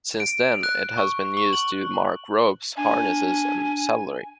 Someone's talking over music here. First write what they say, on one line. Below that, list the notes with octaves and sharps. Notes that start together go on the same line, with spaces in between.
Since then, it has been used to make ropes, harnesses and saddlery.
D7
F#6
C#6
C#6
F#7
D4 G#5